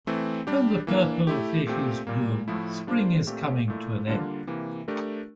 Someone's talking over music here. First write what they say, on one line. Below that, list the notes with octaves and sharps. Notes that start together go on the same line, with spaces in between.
When purple vygies bloom, spring is coming to an end.
E3 A3 C4
G3 D4 G4
E3 A#3 D4
A3 E4 G4
A#2 A3 C4 G4
A#2 G3 A#3
A2 F3 A3 E4
G3 A#3 D4 F4 C5
A#2 A3 C4 G4
A#2 A3 E4
D3 G3 A#3 D4 F4
C3 E3 A#3
A3 D4 G4 A#4